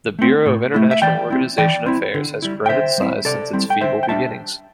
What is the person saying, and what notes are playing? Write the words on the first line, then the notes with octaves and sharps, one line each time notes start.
The Bureau of International Organization Affairs has grown in size since its feeble beginnings.
A3 C4
A2
A3 E4
E5
E3 D5 G5
C4 E4
E3 D5 G5
C4 E4
D3
G3 E4
G5
D3 C5 E5
G3 C4 E4
C3 A4 D5
G3 C4 E4
G5
D3 C5 E5
G5
G3 D4 E5 A5